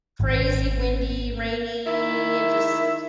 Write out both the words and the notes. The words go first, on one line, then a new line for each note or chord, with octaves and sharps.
crazy windy, rainy, just
G#1
D#3 E4 E5